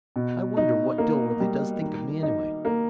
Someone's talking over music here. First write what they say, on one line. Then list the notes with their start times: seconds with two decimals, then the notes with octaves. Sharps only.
I wonder what Dilworthy does think of me anyway?
0.16 B2
0.57 D#4
0.98 A#3
1.40 G3
1.81 D#3
2.23 D#4
2.65 A#3